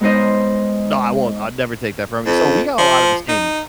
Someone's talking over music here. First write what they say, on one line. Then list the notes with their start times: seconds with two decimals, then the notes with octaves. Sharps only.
No, I won't, I'd never take that from you. So, we got a lot of the same
0.01 G#3 B3 D#4 C5 D#5
2.26 F2
2.78 F3
3.29 D#4